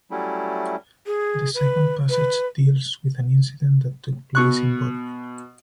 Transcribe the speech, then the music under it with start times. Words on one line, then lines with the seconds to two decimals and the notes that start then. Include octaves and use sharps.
The second passage deals with an incident that took place in Bodmin.
0.11 F#3 G3 A3 C#4 E4
1.06 G#4
1.55 B4
2.09 B4
4.35 B2 C#6 F#6